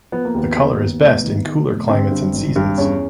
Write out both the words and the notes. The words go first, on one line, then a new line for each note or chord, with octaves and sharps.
The color is best in cooler climates and seasons.
F3 B3
A#3
D#2 B3
D#2
D#2
F1 B3
D#3
D#3
F1
D3 C4
G2
G#1
G2
E2 C#4